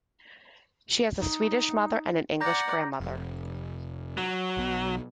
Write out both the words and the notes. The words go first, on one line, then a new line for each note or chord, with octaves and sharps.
She has a Swedish mother and an English grandmother.
D#4
D5 F#5 A#5 G6 A#6
F1
F#3
B1 B2